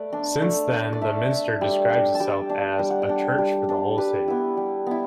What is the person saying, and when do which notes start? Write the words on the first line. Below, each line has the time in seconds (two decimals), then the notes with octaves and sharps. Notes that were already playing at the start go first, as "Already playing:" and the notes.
Since then the Minster describes itself as "A church for the whole City".
Already playing: A3 B4 D5
0.13 D4
0.42 A3
0.72 D4
0.93 D5
1.02 A3 E5
1.31 D4
1.61 G3
1.90 D4
2.15 A5
2.20 G3 G5
2.49 D4
2.79 G3 G5
2.91 F#5
3.02 G5
3.09 D4
3.38 G3
3.69 D4
3.98 G3 B4
4.28 B3 E4
4.57 G3
4.87 B3 E4